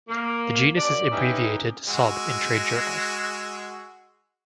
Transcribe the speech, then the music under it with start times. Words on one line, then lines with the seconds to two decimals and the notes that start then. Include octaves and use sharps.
The genus is abbreviated Sob in trade journals.
0.08 A#3
0.76 F#2 D5
1.11 C#4 D#4 E4 G4 B4
1.88 G#3 F#4 E6